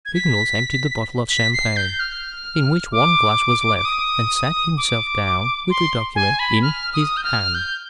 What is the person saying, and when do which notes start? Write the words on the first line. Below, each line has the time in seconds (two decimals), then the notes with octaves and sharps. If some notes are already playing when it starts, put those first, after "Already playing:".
Vignolles emptied the bottle of champagne, in which one glass was left, and sat himself down with the document in his hand.
0.05 G#6
0.14 B6
1.30 B6
1.53 C7
1.76 G6
2.00 F6
2.92 D6
3.78 D6
3.85 D#6
4.77 D6
5.70 C6
6.16 G#5
6.39 B5
6.62 F6
6.93 D#6
7.17 G6
7.24 F6
7.55 G6